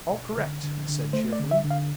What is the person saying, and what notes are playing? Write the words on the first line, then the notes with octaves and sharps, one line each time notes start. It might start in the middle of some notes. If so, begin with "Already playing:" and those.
"All correct," I said cheerfully.
B2
D3
D3
D3
A3 C5
D5
D3
E5
D3
F5